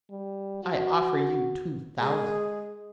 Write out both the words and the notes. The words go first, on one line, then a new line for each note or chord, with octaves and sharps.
"I offer you two thousand."
G3
F#4
G#3 G#4